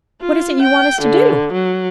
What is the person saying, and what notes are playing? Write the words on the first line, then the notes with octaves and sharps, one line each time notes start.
"What is it you want us to do?"
F4
G5
D3
F#3